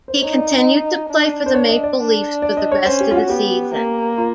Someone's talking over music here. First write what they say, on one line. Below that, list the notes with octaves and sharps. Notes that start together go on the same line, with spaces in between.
He continued to play for the Maple Leafs for the rest of the season.
C5
D#4 C#5
D5
D#5
D4
C5
C#5
D#5
D5
D4
D5
D#5
C#5
C#4 C5
G4
F4
F#4
B3 G4
A#3
F4